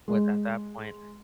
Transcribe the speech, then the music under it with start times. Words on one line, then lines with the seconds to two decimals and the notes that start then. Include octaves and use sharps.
with, at that point,
0.08 G#3